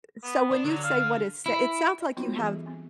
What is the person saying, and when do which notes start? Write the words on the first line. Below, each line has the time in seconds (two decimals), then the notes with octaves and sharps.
uh, so when you say what it s it sounds like you have
0.24 B3
0.51 D4
0.64 D3 F#3 D4
0.84 F5
1.46 E4
2.00 D#5
2.17 F#3 B3 D#4 F4 F#4
2.36 E3 G3 G#3 G#4 A4
2.66 C4